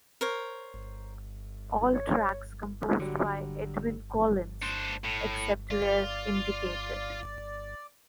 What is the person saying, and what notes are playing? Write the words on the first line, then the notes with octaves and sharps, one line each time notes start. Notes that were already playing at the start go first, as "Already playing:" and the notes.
All tracks composed by Edwyn Collins, except where indicated.
A#4 C5 C#5
C#5
D3 F#3 G3
D4 C5
A2
F4 D5